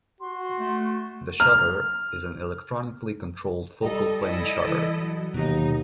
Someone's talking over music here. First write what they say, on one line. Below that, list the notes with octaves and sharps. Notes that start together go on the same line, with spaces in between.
The shutter is an electronically controlled focal-plane shutter.
F#4 C6
A3
F6
G3 A4 D#5 A#5
E4 A4 D#5
E3
F#3
D#2 B2 D#4